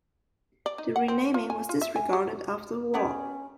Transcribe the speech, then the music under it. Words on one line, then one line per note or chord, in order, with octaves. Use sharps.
The renaming was disregarded after the war.
D5
D#4
F#5
C4
F4
G#5
F4
E5
G#5
G4
B3 C#4 G4 G#4